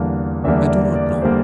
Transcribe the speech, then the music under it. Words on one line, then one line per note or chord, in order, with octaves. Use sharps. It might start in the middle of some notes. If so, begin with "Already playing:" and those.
"I do not know."
Already playing: E2 D3 G3 A#3 F5
E2 D3 G3 A#3 E5
E5
D5
D5
D3 G3 A#3 C5